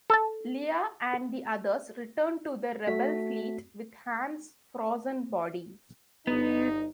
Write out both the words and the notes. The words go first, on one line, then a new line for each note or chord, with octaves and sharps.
Leia and the others return to the Rebel fleet with Han's frozen body.
A4 A5
A3 F#4 B6
G1 B3 D#4